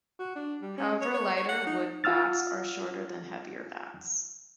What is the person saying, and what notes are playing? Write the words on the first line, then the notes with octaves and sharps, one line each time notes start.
However, lighter wood bats are shorter than heavier bats.
F#4
D4
G3
C#4
C#5
C#5
C#5
F#5
D#4
F4 F#5 E6 F6 A6